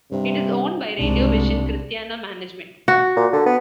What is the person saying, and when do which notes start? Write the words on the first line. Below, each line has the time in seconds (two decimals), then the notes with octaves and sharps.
It is owned by Radio Vision Cristiana Management.
0.11 G2 C3
0.99 C2 G#2 D4
2.88 F#4
3.17 A#2
3.33 D3
3.46 B3